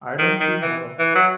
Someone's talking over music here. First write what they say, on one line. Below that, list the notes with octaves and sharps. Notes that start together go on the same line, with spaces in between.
I don't see how.
D#3
D#3
E3
E3
F#3